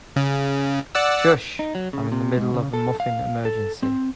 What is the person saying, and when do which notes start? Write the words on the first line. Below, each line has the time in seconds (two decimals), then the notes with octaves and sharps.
Shush! I'm in the middle of a muffin emergency.
0.16 C#3
0.95 D5 F#5 E6
1.59 D#4
1.75 F#3
1.93 C#3
2.12 C3
2.37 G#2
2.54 C#3
2.74 A4
3.00 F5
3.45 A4
3.83 C4